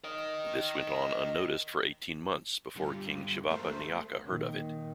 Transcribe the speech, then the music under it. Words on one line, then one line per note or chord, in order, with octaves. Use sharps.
This went on unnoticed for eighteen months before King Shivappa Nayaka heard of it.
A#4 D#5
D3 G3 F4 G4
A3 B3 G4 A#4 C5
A#2 D#3